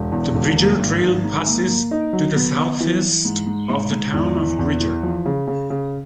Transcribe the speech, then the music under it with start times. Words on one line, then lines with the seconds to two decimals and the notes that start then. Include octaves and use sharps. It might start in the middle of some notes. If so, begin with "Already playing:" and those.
The Bridger Trail passes to the southeast of the town of Bridger.
Already playing: E1
0.12 E2
0.35 E1
0.57 A#3
0.79 G#1
1.02 G#1
1.24 G#2
1.46 A#3
1.69 A#3
1.91 D#4
2.13 F#3
2.35 B3
2.58 B3
2.80 E3
3.02 E3
3.25 G#2
3.46 G#2
3.69 G#2
3.91 G#2
4.13 E2
4.36 E3
4.59 E2
4.80 E3
5.03 F3
5.26 C#3
5.47 C#3
5.70 C#3